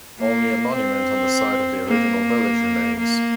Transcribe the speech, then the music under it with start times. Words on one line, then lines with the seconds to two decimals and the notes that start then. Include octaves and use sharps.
Only a monument on the site of the original village remains.
0.20 A#3
0.76 C4
1.88 A#3
3.00 A#3